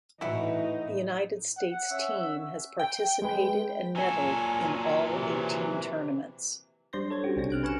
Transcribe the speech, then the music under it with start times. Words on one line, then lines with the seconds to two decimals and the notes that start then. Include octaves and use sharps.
The United States team has participated and medaled in all eighteen tournaments.
0.21 A2 E3 D#4 E4 F#4
1.57 F#5
1.90 C#4 E5 E6
2.79 G5
3.22 G#3 G#4 B4
3.96 A#2 F#3 A4 G#5
5.13 C3 E3
6.93 G3 D4 C5 C6 G6 A#6
7.10 A4 C#5 G#6
7.24 C#4 F#4 G4
7.36 B1 C3 C4 D4 A#6
7.50 F6 F#6 D7
7.63 B4 G#5 C#6 F6 C#7 E7